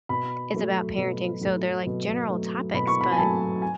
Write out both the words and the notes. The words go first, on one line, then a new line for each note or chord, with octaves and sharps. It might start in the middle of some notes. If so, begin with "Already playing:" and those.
is about parenting. So they're like general topics, but
B2 B5
F#3 A3
B2
F#3 A3
B2
F#3 A3
B2 B5
C#6
B5
G#5
F#3 A3 A5
G#5